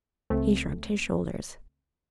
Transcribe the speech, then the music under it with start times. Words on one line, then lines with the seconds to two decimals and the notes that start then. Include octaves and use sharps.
He shrugged his shoulders.
0.30 C#2 A3 C4